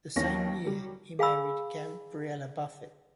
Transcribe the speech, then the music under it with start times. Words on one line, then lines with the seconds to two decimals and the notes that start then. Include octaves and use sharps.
The same year, he married Gabrielle Buffet.
0.16 D#2 D#3 E3 C#4 A#6
0.65 F#3 G3
1.19 G#4 F5 G#5 B5 E6